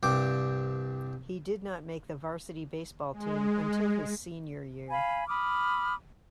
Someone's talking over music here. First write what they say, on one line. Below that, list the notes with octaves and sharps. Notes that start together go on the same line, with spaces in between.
He did not make the varsity baseball team until his senior year.
C2 G2 G5 D6
G#3
F5 G#5 B5
B5 D6 D#6 F6